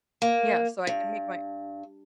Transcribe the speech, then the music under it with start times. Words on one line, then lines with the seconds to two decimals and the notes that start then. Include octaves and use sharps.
Yeah, so I can make my
0.22 A#3
0.87 G2